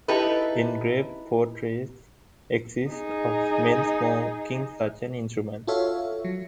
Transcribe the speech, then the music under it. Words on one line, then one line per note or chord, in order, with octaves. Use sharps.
Engraved portraits exist of men smoking such an instrument.
D#4 E4 G4 A4 B4
D#4 G#4
F4 F#4 A4 C#5 E5 F5
F#3